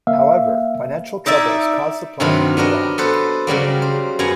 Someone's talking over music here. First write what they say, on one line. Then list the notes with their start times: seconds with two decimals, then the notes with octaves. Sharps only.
However, financial troubles caused the plan to be dropped.
0.07 A#3 E5 F5
1.26 D#4 E4 D5 E5
2.20 G2 C3 D#3 F#3 F4 B5
2.57 B3 D4 F#4 A#4 D#5
2.98 B3 A4 B4 C5
3.47 C#3 F#3 G3 A#3
3.82 C5
4.19 F#2 B3 G#5 A#5